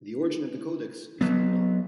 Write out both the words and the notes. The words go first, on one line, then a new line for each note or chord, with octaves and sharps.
The origin of the codex is unknown.
F#3 B3